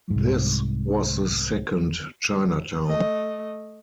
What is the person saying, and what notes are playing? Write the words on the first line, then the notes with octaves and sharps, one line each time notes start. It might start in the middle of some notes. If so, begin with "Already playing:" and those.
This was the second Chinatown.
C2 G#2
A3 D#5